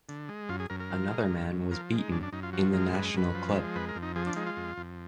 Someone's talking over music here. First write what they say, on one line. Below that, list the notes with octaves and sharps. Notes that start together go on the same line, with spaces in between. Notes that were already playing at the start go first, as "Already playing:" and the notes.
Another man was beaten in the National Club.
D3
G#3
F#2 F4
G#4
F#2 A#4
A#4
F3
G#3
F#2
F#2
F3 A#4
G#3
D#4
F#2 D4
D4
F#2 D#4
F4
F3 F#4
G#3 A#4
F#2 B4
F#2 B4
F3
G#3
F2 B4
A#4
F2
D#4
F3 G#4
D4
G#3 D#4
F4
F2
F2